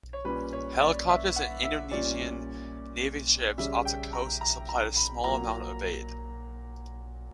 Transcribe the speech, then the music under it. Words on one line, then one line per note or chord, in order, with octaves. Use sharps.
Helicopters and Indonesian navy ships off the coast supplied a small amount of aid.
C#5
A#2 G3 C#4 B4
C#5
D5
E5
F#5
E5
A#2 G3 C#4 D5
C#3 G3 C#4 E5
G5
A#5
A#5
A#5
B5
A#2 F#3 A#3 A#5